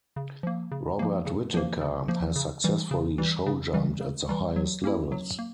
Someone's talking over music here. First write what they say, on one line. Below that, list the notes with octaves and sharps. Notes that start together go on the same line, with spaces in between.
Robert Whitaker has successfully show jumped at the highest levels.
C#3
F3 A#3
C#3
F3 A#3
C#3
F3 A#3
C#3
F3 A#3
C#3
E3 G3
C#3
E3 G3
C#3
E3 G3
C#3
E3 G3
F#3
A#3 C#4 E4
F#3
A#3